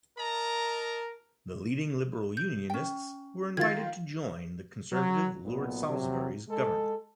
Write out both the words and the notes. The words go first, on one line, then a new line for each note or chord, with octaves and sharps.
The leading Liberal Unionists were invited to join the Conservative Lord Salisbury's government.
A#4 D#5 A5 A#5
G6
C#4 G5
D#3 F4 G#6 A6
F#3
B1 A#2 B3
C3 F#3
G#3 A4